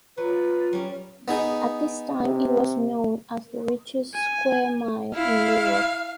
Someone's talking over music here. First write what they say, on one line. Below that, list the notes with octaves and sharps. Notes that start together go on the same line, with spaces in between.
At this time it was known as the 'richest square mile in Europe'.
F#3 F4 B4
F#3 G3 C#4
B3 D#4 G#4
C3
G#5
E4 F5